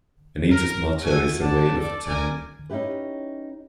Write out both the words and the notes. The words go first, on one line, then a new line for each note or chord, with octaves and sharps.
Anita's motto is A Whale of a Town.
A#4
B3 F#4 A4 E5 G#5
D5 F#5 A5
A4 D5
A#4 D5 G#5
C#4 D#4 E4 G4 B4